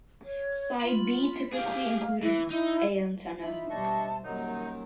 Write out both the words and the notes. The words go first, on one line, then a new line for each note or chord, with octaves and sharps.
Side B typically included a antenna.
C#5
F4 B5
G4 G#4 F5
E3 E4
D#4 E4
E3 D#4 F4 E5 B5
B2 G3 D4 C5 D#5 A5 C#6
F#2 D#3 F#3 G3 A#3 D#4